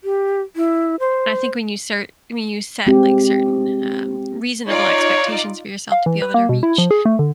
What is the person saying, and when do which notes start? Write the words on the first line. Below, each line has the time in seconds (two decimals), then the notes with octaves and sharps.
and I think when you start when you set, like, certain, um, reasonable expectations for yourself to be able to reach,
0.04 G4
0.56 E4
1.00 C5
2.87 G#3 C4 G4
4.68 D#4 F4 C#5 D5
5.92 F5
6.06 E3
6.22 B4
6.34 A#3
6.49 B2
6.63 E4
6.78 F3
6.91 G#4
7.05 A3
7.19 D3